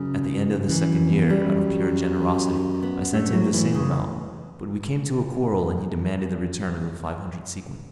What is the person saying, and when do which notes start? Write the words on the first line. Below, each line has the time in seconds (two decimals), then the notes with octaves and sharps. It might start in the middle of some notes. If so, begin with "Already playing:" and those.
At the end of the second year, out of pure generosity, I sent him the same amount; but we came to a quarrel and he demanded the return of the five hundred sequins.
Already playing: F#2 C#3
0.69 F#2 E3
0.89 F#2
1.09 E2
1.30 F#2 G3
2.83 B3
3.13 G2 A3
3.33 A2 F#3
3.53 A2 E3
3.74 C#3